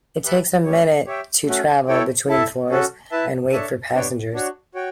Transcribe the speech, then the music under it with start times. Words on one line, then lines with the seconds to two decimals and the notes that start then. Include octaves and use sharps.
It takes a minute to travel between floors and wait for passengers.
0.24 G4 B4 E5 A5
0.65 A3 C#4 G4 C#5
1.06 G4 C#5 E5 G5
1.47 A3 C#4 F#4
1.88 E4 A4 C#5 G5
2.28 E4 A4 E5 A5
2.70 C#4 F#4 A4
3.11 E4 B4 E5 A5
3.52 D4 A4 C#5 E5 A5
3.92 B3 D4 G4 C#5 G5
4.34 D4 F#4 C#5
4.74 F#4 C#5 G5